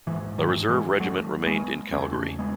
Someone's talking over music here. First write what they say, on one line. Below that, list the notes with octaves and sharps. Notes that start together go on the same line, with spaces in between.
A reserve regiment remained in Calgary.
G#2 E3
D#3 F#3
E3 G#3
F#3 A3
G#3 B3
E2 C#3 A3 C#4
G#3 B3